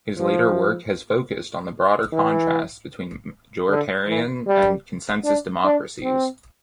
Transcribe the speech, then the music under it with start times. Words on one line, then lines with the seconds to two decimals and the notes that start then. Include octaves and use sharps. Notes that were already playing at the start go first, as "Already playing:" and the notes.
His later work has focused on the broader contrasts between majoritarian and "consensus" democracies.
0.18 F3
2.13 E3
3.68 D3
4.08 E3
4.47 G3
5.25 D4
5.64 D4
6.03 C4